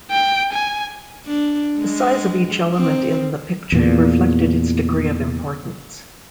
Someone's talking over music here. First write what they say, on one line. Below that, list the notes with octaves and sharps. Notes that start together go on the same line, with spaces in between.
The size of each element in the picture reflected its degree of importance.
G5
G#5
D4
G#3
C4
E2 A#2